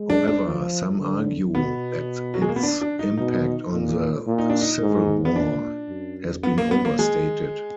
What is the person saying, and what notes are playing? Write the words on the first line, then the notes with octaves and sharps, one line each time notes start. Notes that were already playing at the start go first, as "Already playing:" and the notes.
However, some argue that its impact on the Civil war has been overstated.
Already playing: G#3
D4
D4
F3
D3
B2 B3
F#3
G#3
A#3
B3
D4
D4
D#4
B2 D#4
A#2
A#2
D#4
D4
D#4
G#2
B3
A#2 D4
F#2
B3
A#3
B3
A#3
G#3